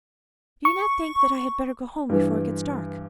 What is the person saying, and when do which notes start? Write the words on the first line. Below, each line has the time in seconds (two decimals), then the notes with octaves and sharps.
"Do you not think that I had better go home before it gets dark?"
0.65 C#6
2.09 G2 E3